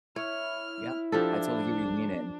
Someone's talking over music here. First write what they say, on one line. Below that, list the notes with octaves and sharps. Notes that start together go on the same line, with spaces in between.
Yeah, I totally hear what you mean, and,
E4 C#5 F6
F3 D4 G4 A4